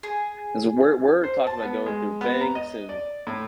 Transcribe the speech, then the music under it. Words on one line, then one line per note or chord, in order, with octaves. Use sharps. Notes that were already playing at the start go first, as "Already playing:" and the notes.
because we're we're talking about going through banks and
G#4
C5
A5
B3
G#3
B3
A#5
D#5
D5
A2